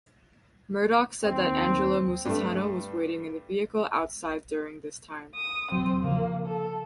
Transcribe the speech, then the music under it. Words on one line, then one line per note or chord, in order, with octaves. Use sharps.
Murdock said that Angelo Musitano was waiting in the vehicle outside during this time.
D#2 C4
G2 A3
D#6
E1 F#3 C4
C#3 F3 A#3
A4